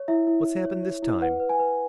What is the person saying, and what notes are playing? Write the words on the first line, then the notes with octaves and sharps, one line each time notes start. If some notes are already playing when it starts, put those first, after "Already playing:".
"What's happened this time?"
Already playing: C#5
E4 E5
E4
E4
C#5
C#5
E4
B4 F#5
B4
G#5
B4